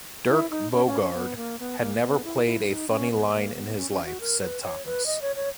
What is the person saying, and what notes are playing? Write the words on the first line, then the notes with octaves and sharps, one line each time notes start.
Dirk Bogarde... had never played a funny line in his life, said Thomas.
E4
D#4
C#4
C#4
C#4
B3
A#3
B3
A#3
B3
E4
E4
D#4
C#4
B3
A#3
B3
C#4
C#4
F#4
A#4
B4
C#5
B4
D#5
C#5
C#5